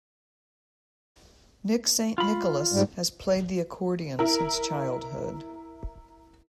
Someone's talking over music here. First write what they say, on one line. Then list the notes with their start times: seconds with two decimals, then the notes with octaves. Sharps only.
Nick Saint Nicholas has played the accordion since childhood.
2.18 F4 B5
2.72 G#2 G3
4.19 E4 A#4